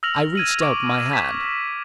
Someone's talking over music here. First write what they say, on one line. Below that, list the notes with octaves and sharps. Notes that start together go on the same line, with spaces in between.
I reached out my hand.
E6 F6 A#6 F7 F#7
G#6 D#7 F#7
C#6 D6 D7
G#6 B6 E7